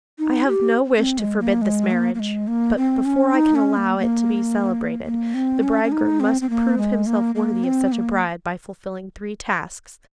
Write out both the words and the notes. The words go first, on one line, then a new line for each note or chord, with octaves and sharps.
'I have no wish to forbid this marriage; but, before I can allow it to be celebrated, the bridegroom must prove himself worthy of such a bride by fulfilling three tasks.
D#4
G4
C4
G#3
A#3
G#3
A#3
A#3
G#3
A#3
C4
C#4
D#4
C#4
A#3
A#3
A#3
C4
C#4
C#4
D#4
C4
C4
A#3
G#3
A#3
A#3
C4
A#3